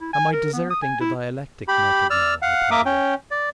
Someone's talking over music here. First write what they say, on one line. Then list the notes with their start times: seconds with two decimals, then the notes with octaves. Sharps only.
Am I deserting the dialectic method now, Hypatia?....
0.01 E4
0.13 G#5
0.32 A#4
0.53 B3
0.70 D#6
0.82 G#5
1.01 E4
1.68 G4 B5
2.10 D5 E6 F6
2.42 F5 F#5
2.71 A#3 A#4 E5 D6 D#6
2.86 C#4 G5
3.31 D5